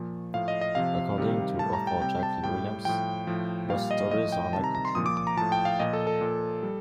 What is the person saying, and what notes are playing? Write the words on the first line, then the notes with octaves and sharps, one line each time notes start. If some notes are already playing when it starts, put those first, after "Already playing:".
According to author Jacqueline Williams, both stories are likely true.
Already playing: A#2 F3
A2 F3 F5
D#5
D#5
C3 F3 F5
C3 D#3 G3
A2 G3 A5
A#5
G5
C3 G3 G5
A5
A2 G3 G5
A2 F3 G5
A2 F3
A#2 G3 F5
D#5
A2 F3 D#5
G5
C3 D#3 G3 A5
A#5
A#5
C6
A#2 F3 D#6
D6
D6
A#5
A2 F3 A5
G5
F5
A#2 F3 D#5
A4
A4
A#2 F3
G3